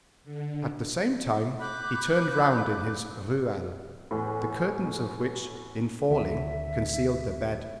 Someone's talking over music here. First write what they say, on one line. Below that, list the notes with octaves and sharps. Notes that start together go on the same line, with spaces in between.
At the same time he turned round in his ruelle, the curtains of which, in falling, concealed the bed.
D3
B5 D6 F#6 G6
E2 A2
D2 D#3 C4 E5